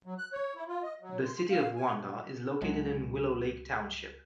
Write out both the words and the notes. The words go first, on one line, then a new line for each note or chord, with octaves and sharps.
The city of Wanda is located in Willow Lake Township.
F#3
F#6
C#5
E4
F4
D#5
F#3
C6
F5
G#5
B2
C#2 F#3 G#3